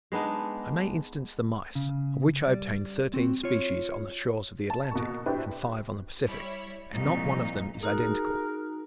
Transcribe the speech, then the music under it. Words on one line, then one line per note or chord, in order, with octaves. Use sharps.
I may instance the mice, of which I obtained thirteen species on the shores of the Atlantic, and five on the Pacific, and not one of them is identical.
G#3 B3 D4 D#4
C#3
G3 D5
C4 F#4
F4 C#5
A5
B2 A#3 C#6
D4 E4 F#4 G4 B4 C5
G3 E4 C#5
C2 F2 A#2 D#4
D#4 F#4 G#4 A#4